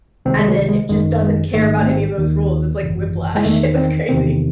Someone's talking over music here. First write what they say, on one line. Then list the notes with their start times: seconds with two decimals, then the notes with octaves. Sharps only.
and then just doesn't care about any of those rules. It's like whiplash. It was crazy.
0.25 C#2 C3 D#3 C4
0.39 G#3
0.48 F#3
0.68 G#3
0.89 G#1 F#2 D#3 G#3
1.21 G#3
1.54 A1 G#2 D#3 A3
1.77 A3
1.86 C4
2.18 D#2 D#3
2.81 G#1 F#2 C#3 E3
3.35 G#3
3.45 E2 D#3 A3
3.77 C4
4.09 E2 C3 D#3 C4